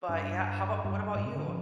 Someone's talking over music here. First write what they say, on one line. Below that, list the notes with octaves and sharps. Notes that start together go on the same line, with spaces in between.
But yeah. How about What about you?
G2
G2
G#2
C3
D3
F3